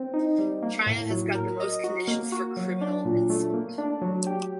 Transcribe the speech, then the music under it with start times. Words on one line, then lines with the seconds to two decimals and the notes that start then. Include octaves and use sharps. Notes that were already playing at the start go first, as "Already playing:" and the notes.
China has got the most conditions for criminal insult.
Already playing: C4
0.14 D#4
0.38 G3
0.62 A#3
0.86 A2
1.10 F#3
1.35 A#4
1.60 D#5
1.84 F#4
2.08 A#3
2.32 F#4
2.57 F#3
2.81 D4
3.05 A#2
3.30 A3
3.54 A#3
3.78 D4
4.02 F#3
4.27 G4